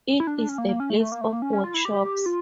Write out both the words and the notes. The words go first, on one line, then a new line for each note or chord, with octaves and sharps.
It is a place of workshops.
E4
D4
D4
C#4
A#3
A#3
C#4
A3
A3
A#3
A3
A#3
C#4
C#4
F4
E4
G4
F4